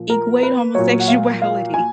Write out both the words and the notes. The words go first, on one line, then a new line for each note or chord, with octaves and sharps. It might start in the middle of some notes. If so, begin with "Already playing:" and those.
equate homosexuality?
Already playing: A#2 F3
A#4
B4
A#2 F#3 C#5
F#5
F5
F5
G#5